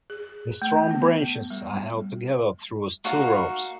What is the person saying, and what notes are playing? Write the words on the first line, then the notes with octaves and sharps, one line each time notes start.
The strong branches are held together through steel ropes.
G#4
A3
B3
G3
D#4 F#4 A#4 F5